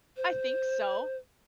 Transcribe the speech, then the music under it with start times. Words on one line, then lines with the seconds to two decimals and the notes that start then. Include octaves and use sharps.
I think so.
0.17 C5